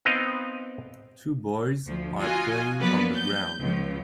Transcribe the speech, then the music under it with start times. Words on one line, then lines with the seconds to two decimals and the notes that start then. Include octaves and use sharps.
Two boys are playing on the ground.
0.05 B3 C4 D#4 D#5 F5 G5
1.86 D2 F3
2.19 F4 F#4 D#5 G#5
2.79 F3 F#3 A#3 B3 B4 D5
3.12 G6
3.58 C#2 F3